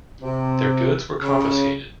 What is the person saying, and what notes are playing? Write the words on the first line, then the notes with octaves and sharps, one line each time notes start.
Their goods were confiscated.
C3
C#3